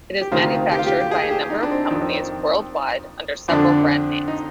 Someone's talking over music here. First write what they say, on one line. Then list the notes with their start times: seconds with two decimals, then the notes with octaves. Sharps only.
It is manufactured by a number of companies worldwide under several brand names.
0.21 G4
0.32 D2 C3 D#3 F4
0.71 G4
0.79 F4
0.86 G4
1.00 G4
1.11 G#4
1.31 G4
1.50 D#4
1.63 D4
1.70 C4
1.90 F2 D#3
3.48 F2 D3 D4
4.28 D#4